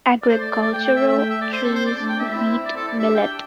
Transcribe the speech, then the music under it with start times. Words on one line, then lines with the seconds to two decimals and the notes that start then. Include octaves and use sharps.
Agricultural, trees, wheat, millet.
0.22 D5
0.28 A3 C5
0.40 D5
0.51 D5
0.62 A3 D5
0.73 G5
0.85 G5
0.96 A3 E5
1.07 E5
1.19 G5
1.30 E5
1.42 D5
1.52 C5
1.64 C4 A4
1.75 C5
1.86 D5
1.98 A3 D4 D5
2.09 G5
2.20 E5
2.31 C4 E4
2.65 D5
2.76 A4
2.88 D5
2.98 D4 G4 E5
3.15 G5